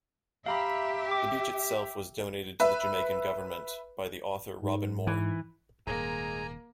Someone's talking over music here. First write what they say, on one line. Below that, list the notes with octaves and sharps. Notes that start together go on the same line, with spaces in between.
The beach itself was donated to the Jamaican Government by the author Robin Moore.
G4 E5 F5 A#5 B5
G5 D6
B4 E5
G#2
E3
D#1 G#2 D#3 G#3 A#3 G#5 A#5